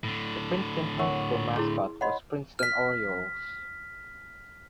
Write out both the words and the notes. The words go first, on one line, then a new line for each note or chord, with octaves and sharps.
The Princeton High School mascot was Princeton Orioles.
A2 D3
A#4 C#5 F#5 C#6
E4 G#4 C#5 C6
C#5 D#5 F#5 B5 C6
F6 B6